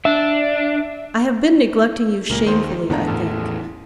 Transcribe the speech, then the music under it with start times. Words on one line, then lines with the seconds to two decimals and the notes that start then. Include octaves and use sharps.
I have been neglecting you shamefully, I think.
0.05 D4 E5
2.30 C#2 A#2 A#4
2.46 D#2 C5 C6
2.90 E2 A2 D3 D4 A#5
3.08 A1